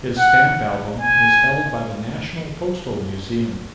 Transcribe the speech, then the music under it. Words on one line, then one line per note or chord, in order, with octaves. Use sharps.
His stamp album is held by the National Postal Museum.
F#5
G#5